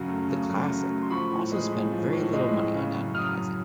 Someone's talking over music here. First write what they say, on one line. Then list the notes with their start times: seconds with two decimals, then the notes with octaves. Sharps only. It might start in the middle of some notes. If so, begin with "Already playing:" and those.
The Classic also spent very little money on advertising.
Already playing: F#2 C#3 F#3
0.08 A3
0.29 C#3
0.49 F#2
0.69 F#3
0.90 A3
1.02 C6
1.10 F3 B5 C#6
1.31 A2
1.52 G#3
1.72 A2
1.92 F3
2.13 A2
2.33 G#3
2.54 A2
2.74 C#3
2.95 F#2
3.15 F#3 D#6 F6
3.35 F#2